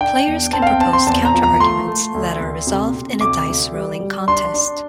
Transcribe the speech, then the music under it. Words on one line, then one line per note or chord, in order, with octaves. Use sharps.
Players can propose counter-arguments that are resolved in a dice rolling contest.
D4 G5
E2
C4 A5
F5
G5
C4 A5
C6
E2 A5
A#5
F3
A#5
A3 C6
A3
D2
D2
C3
C3
D2 D6
D2
G3
G3
D4 C6
D4